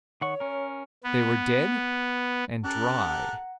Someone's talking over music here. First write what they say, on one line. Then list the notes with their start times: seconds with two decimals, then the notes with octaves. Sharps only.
They were dead and dry.
0.21 D#3 C#5 F#5 C#6
0.40 C#4 A#4
1.04 B3
2.64 C#4 G4 A4 A#4 F#6 A6
3.02 F#5 A#5